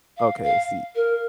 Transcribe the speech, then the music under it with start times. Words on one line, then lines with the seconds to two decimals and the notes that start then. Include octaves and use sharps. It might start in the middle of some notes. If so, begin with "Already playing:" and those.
Okay, I see.
0.17 F5
0.43 F5
0.95 A#4